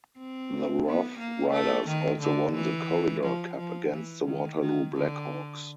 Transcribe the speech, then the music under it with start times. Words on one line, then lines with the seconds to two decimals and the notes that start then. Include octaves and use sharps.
The Roughriders also won the Corridor Cup against the Waterloo Black Hawks.
0.17 C4
0.85 B3
1.19 A#3
1.53 A3
1.87 D#3
2.21 D3
2.55 E3
3.24 F3
3.57 F3
3.92 E3
4.26 D#3
4.61 D#3
4.95 D3